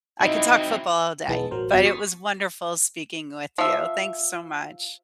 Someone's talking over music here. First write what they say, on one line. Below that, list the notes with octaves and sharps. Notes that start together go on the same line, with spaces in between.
I could talk football all day, but it was wonderful speaking with you, thanks so much.
C4 D#4 E4 F#4
B1 E2 E3 G#3 B3 A5
A1 F#3 A#4 C5
G1 F2 B2 F#3 G5 G#6
C#6 D#6 A6 B6 C7
F3 E5